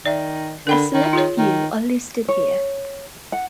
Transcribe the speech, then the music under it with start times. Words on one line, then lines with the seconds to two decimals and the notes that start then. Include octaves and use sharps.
A select few are listed here.
0.06 D#3 D5 E5
0.67 D3 A#4 G5 B5
0.94 D#3
1.13 F4 G#4 C#5
1.38 D#3
2.29 C#5
3.32 F#5